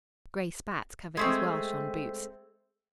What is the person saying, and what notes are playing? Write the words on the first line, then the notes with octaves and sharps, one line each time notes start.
Grey spats covered his well-shone boots.
G#3 A3 C4